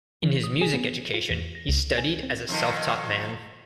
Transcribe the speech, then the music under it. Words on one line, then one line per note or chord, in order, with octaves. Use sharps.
In his music education he studied as a self-taught man.
E3
D#6
G#4
B3
F4
E2
A#6
C#2
G#5
C4
F2 D#3